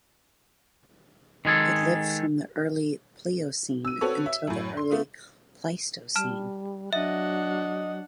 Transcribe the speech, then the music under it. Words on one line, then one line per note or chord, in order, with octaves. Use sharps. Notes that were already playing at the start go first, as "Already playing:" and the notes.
It lived from the Early Pliocene until the Early Pleistocene.
D#3 G#3 G#4 A4
E6 D#7
C4 F#4 A4 B4 C#5
E5
F#2 A2
C6
A3 B3 F4
G3 A5 F6 E7
F#3 D4 D#5 E5 F#5